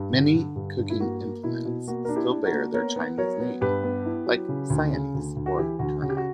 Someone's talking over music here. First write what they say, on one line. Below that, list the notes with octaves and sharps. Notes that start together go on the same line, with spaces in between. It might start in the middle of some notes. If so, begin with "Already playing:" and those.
Many cooking implements still bear their Chinese name, like sianse or turner.
Already playing: G2
D3
D3
G2
G2
E4
A#3 F#4
A#3
B2 E4
B2
A#3 F#4
D4 A#4
E4 G4
D4
F#4 A#4
A#3
B3 A#4 C#5
B3
F#3 A#4 C#5
B3
G2 G4 B4
B3
E4
F#3
C#3
D2
C#3
D2
D2
F#4
E3 E4 G4
D2 F#4
C#3 F#4
G4
F#4